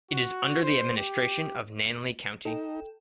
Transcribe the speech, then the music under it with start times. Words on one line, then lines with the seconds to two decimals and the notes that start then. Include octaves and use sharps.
It is under the administration of Nanle County.
0.11 F#4
0.63 C5
0.97 G4
2.45 D#4 A4 G5